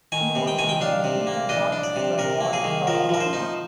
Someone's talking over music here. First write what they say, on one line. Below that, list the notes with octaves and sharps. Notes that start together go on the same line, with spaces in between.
Two more children, Kate and Marcus, were born in Tasmania.
D#3 G#5
C3
G5
D#3 G#5
G5
D4 F5
C3
A#3
D4 D#5
D4
D5
C3
C3 A#4
A#3
G#4
D#3
F3 A#4
F3 A#4
C5
D#4